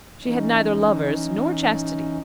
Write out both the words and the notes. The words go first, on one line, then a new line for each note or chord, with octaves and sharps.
She had neither lovers nor chastity.
E3 C#4 D#4